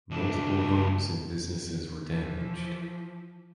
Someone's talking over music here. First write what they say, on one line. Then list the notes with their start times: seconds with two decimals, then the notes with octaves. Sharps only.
Multiple homes and businesses were damaged.
0.11 C#2 D4
2.06 E3 F3